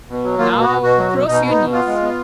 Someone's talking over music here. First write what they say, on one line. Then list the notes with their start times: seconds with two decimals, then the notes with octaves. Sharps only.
"Now cross your knees."
0.09 B2
0.23 F#3
0.38 A#3 F4
0.53 B2
0.61 F#4
0.68 B2
0.82 B2 F#4
0.98 F#3
1.13 B2
1.27 B2 D#4
1.43 B3
1.50 D#4
1.57 B2
1.72 B3 F4
1.87 G#3
2.02 B3